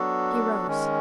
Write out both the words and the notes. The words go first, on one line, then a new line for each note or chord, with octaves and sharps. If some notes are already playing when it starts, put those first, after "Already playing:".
He rose.
Already playing: F#3 B3 D4 F#4 A4
D#3 G#3 C#4